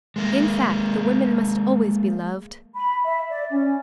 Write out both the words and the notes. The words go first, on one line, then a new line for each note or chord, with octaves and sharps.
In fact, the women must always be loved.
G#3 A#3
B5
E5
D5
C#4